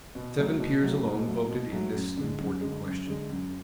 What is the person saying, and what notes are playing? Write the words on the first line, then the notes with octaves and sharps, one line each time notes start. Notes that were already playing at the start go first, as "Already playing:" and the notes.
Seven peers alone voted in this important question.
B2
F#3 A3
B2
F#3 A3
B2
F#3 A3
B2
F#3 A3
F#2
D3 G#3
F#2
D3 G#3
F#2
D3 G#3
F#2